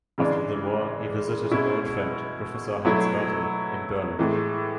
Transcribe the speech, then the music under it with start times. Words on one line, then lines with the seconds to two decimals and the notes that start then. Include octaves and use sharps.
After the war he visited an old friend Professor Hans Ertel in Berlin.
0.18 C#3 E3 G#3 D4
1.51 B2 G#3 C#4 E4
2.85 B2 F#3 A3 E4
4.19 A2 E3 G#3